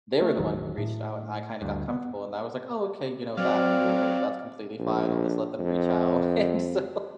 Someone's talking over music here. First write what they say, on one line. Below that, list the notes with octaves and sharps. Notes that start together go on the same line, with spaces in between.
they were the one who reached out, and I kinda got comfortable, and I was like, "Oh, okay, you know, that will that's completely fine, I'll just let them reach out," and so,
A3
E1 A1 D#3 F#3
A2
D2 G2
B3
F#3 C4 D5 F5
A#1
F2